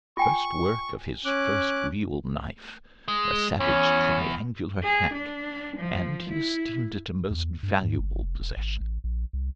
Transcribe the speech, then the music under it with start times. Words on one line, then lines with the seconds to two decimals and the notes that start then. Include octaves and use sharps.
It was the first work of his first real knife, a savage triangular hack, and he esteemed it a most valuable possession.
0.17 F4 G5 G#5 C#6
1.25 C#4 D6 F#6
3.08 G#3
3.60 E2 C#4
4.83 G#4
5.13 D4
5.76 F3
6.30 E4
7.31 E2
7.63 G2
7.82 G#2
7.99 G1
8.23 F1
8.40 E1
8.57 G#1
8.81 A1
9.04 A#1
9.33 C2